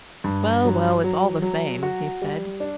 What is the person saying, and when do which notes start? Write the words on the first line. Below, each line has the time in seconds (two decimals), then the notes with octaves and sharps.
"Well, well, it's all the same," he said.
0.24 G2
0.65 F#3
1.04 F#3
1.42 F#3
1.83 F#4
2.22 G3
2.60 D4